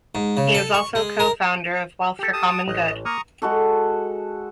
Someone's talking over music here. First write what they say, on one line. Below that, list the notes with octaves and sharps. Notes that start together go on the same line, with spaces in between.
He is also co-founder of Wealth for Common Good.
G#2
C#3
A4
C#6
G#3
A#4
G4 A4
A5 D#6
A1 D#5
A#3 A#5 C#6 D#6
G#3 F#4 A4